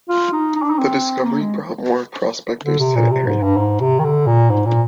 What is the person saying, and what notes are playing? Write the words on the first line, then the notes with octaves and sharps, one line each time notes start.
That discovery brought more prospectors to the area.
F4
D#4
D#4
D4
D#4
C4
A#3
G#3
D3
C3
A#2
C3
G#2
G2
G#2
C3
D#3
D3
A#2
G#2
A#2